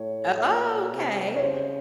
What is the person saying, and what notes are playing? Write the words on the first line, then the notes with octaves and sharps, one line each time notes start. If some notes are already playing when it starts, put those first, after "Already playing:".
Oh, okay,
Already playing: A2 C#5
A#2
C3
C#5
C#3 C5